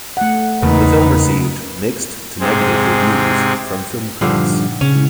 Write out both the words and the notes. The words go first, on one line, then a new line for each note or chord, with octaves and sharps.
The film received mixed to negative reviews from film critics.
A3 F#5
E2 C#3 A3 A#3 D#4 B4
G#2 C3 C4 G#4
G2 A#2 D3 F3 D#4 F#5
C#3 C#4
G#3 E4